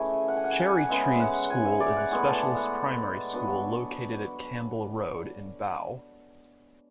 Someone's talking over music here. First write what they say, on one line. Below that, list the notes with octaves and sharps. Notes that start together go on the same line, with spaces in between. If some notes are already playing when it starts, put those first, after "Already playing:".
Cherry Trees School is a specialist primary school located at Campbell Road in Bow.
Already playing: C#3 E3 A3 G#5
F#5
G#5
F#5
G#5
F#5
G#5
F#5
C#3 G#3 B3 E5
F#5
G#5
E5
D5
F#5
A2 G#3 B3 G#5
A5
A5
F#5
F#3 B3 D4